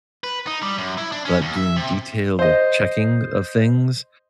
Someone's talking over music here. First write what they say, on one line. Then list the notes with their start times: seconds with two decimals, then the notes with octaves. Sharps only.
But doing detailed checking of things,
0.24 B4
0.47 D#4
0.62 G3
0.78 F#2
0.98 E4
1.12 D4
1.25 C#4
1.41 D#2
1.57 E5
1.76 C3
2.39 C5 D#5